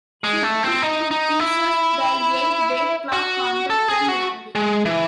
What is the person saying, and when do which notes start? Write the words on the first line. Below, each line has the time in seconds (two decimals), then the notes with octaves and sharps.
He took to pieces the eight-day clock on the front landing.
0.24 G#3
0.43 A3
0.63 C4
0.82 D#4
1.11 D#4
1.40 E4
3.13 F#4
3.70 A4
3.89 G#4
4.08 F#4
4.55 G#3
4.85 E3